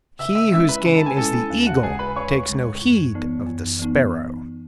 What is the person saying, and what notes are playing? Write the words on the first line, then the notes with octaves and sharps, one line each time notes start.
He whose game is the eagle takes no heed of the sparrow.
C#3 E5 E6
E5 E6
G#3 C#4 E4 E5 E6
B4 B5
C#3 B5
A5
G#5
G#3 C#4 E4 A4 A5
D#2
F#4 F#5
C#3 G#3 G#4 G#5
B4 B5
D#2 C#5 C#6
C#3 G#3
F#2
E3 B3 D#4
F#2
E3 B3 D#4